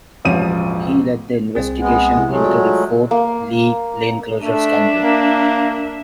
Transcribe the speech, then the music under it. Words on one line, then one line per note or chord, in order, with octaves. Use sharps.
He led the investigation into the Fort Lee lane closure scandal.
E1 A1 F3 C#5 D#7
C2 C4 G#4
G#3 B3
C3 E4
C3 F#3 G#3 A3
F4 F#4 D5
A#3
A3 D4 E5
A#3